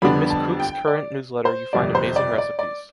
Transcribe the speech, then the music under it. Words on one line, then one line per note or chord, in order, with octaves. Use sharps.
In Mrs. Kuchs current newsletter you find amazing recipes.
F2 D3 G3 B3 D4 B5
A5
G5
D5
C5
G1 F2 C3 D5
C5
D5
D5
D5